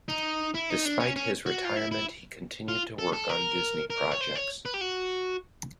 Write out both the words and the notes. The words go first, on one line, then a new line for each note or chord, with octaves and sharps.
Despite his retirement he continued to work on Disney projects.
D#4
E4
D#4
D4
C#4
C#4
F#4
F4
E4
E4
F4
A4
A4
A#4
A#4
C#5
C5
C#5
B4
G4
F#4